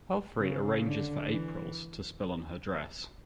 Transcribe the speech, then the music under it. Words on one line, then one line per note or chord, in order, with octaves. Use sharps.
Palfrey arranges for April's to spill on her dress.
C#3
D3
E3